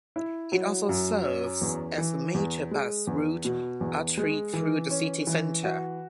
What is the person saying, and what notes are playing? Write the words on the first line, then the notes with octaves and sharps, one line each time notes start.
It also serves as a major bus route artery through the city centre.
E4
F#3
F#2
C#4
E2
E3
E2
G#3
E2
B2
E2
G#3
E3
C#4
E3
F#4